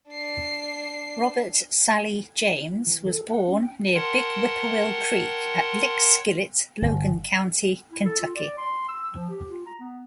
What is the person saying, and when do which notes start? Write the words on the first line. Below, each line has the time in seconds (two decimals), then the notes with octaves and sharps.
Robert Sallee James was born near Big Whippoorwill Creek at Lickskillet, Logan County, Kentucky.
0.10 D4 C7
2.87 E3
3.07 A4
3.28 F#5
3.48 C#4
3.63 G5
3.94 A#4 C#5 F#5 G5 A5 C6
6.82 G1
7.92 E4
8.06 A4
8.20 F4
8.36 D5
8.58 C6
8.89 E6
9.14 F3
9.30 G4
9.49 F4
9.67 A#5
9.80 B3